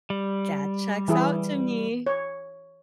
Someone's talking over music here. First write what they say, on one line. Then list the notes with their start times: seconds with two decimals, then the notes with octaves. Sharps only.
That checks out to me.
0.10 G3
1.08 E3 E4 G#4
2.07 C#5